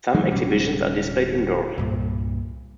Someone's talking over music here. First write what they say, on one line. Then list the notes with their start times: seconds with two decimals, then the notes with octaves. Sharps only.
Some exhibitions are displayed indoors.
0.15 E3 F#3 G#3
0.30 D1 B2 G3 C#4
1.78 C2 G2 A#2